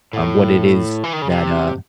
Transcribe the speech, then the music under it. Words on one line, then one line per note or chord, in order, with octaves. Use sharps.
um, what it is that, uh,
A2
E3
D#3
C#3
C3